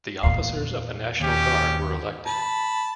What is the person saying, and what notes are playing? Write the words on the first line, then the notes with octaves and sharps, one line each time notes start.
The officers of the National Guard were elected.
E2 A#2 F5
D#2 C#4 G4
A5 B5